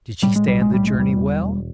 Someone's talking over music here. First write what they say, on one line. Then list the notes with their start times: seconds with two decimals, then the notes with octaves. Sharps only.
Did she stand the journey well?
0.22 A2 G3
0.36 G#3
0.47 B1 G3
0.62 G#3
0.71 A2 G3
0.87 G#3
0.94 E2
0.99 G3
1.17 E1
1.41 E1